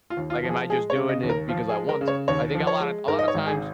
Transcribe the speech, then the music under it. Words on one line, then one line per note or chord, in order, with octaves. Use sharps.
"Like, am I just doing it because I want to?" I think a lot of a lot of times
F4
D#2
F4
F3
G#4
G#3 G#4
C#5
C#3
D#5
D#2
A#4
F3 F4
G#4
G#3
A#4
C#3
C#5
D#2 C#5
F3
C#5
G#3
G#2 A#4
D#5
C#5
G#1
G#4